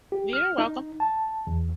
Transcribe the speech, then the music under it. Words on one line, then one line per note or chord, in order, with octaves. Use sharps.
You're welcome.
G4
F6
D#4
A5
E2